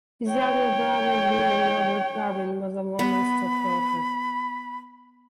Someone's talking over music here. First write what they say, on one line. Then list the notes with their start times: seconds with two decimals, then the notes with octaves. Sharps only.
His younger brother William Robert Darwin was a London stockbroker.
0.29 C#5 G5
2.99 B3 B5